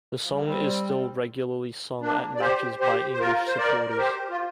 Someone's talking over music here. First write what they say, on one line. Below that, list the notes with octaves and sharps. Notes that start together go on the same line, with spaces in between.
The song is still regularly sung at matches by English supporters.
F3
G3
A#3
G3 C4
A#3 D4
D5
G4 C5
G4 C5
C5
F4 A#4
C5
A#4 D5
A#4
G4 C5
F4